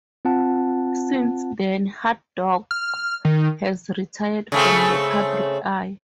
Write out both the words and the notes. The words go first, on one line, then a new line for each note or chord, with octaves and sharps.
Since then Haddock has retired from the public eye.
C4 F4 F#5 A5
F6
D#3
C#3 A3 C4